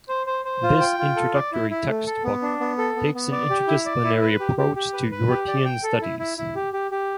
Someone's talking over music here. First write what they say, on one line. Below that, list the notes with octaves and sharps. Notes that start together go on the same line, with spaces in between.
This introductory textbook takes an interdisciplinary approach to European studies.
C5
C5
C5
F4
G5
F4
A4
D5
E4
E4
A3
A4
B3
D4
B3
A4
B3
B3
D5
G4
E4
D5
E4
B4
G4
G4
G4
B4
B4
G4
D5
G5
A4
E4
E4
E4
G4
G4
G4